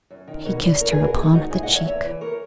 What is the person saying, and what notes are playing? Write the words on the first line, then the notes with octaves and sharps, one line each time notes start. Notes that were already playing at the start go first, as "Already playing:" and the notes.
He kissed her upon the cheek.
F#2
D#3
B2 A#4 C#5
E2
E2 A#4 C#5
G#4 B4
B2
F#4 A#4
D#3 E4 G#4
G#2 D#4 F#4
G#2 E4 G#4
D#5 F#5
D#3
C#5 E5
E2 C#5 E5
E3
A#4 C#5